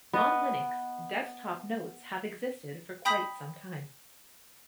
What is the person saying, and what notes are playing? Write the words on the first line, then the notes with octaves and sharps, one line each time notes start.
On Linux, desktop notes have existed for quite some time.
B3 D#5
G5 B5 D#6 G6 B6 F#7